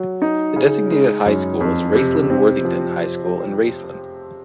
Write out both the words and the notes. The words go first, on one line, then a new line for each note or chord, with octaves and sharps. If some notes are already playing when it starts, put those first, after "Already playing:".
The designated high school is Raceland-Worthington High School in Raceland.
Already playing: F#3
D#4
C#3
G#3
F#2
F2
C3
C4
F3